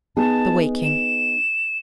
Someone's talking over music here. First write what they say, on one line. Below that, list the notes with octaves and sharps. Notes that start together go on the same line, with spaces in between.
The Waking.
B3 D#4 G#4 A5
E7